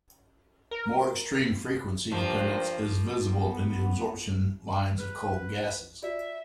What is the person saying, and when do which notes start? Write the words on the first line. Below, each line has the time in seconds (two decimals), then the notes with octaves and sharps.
More extreme frequency-dependence is visible in the absorption lines of cold gases.
0.71 A#4
2.12 G2 A#2 F3 A#3 C5
3.34 B3
4.68 F#7
4.98 B4 F6
6.02 F4 F#4 D5 E5